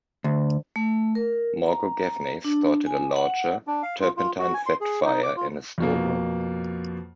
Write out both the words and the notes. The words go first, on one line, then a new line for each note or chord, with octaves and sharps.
Margo Gaffney started a larger, turpentine-fed fire in a storeroom.
D2
A3
A#4
A#5
D4
G#5
F#5
D4
F5
F4
F4
F#4
G#5
C6
G#4
D#4
D6
F4
F2 B2 A#3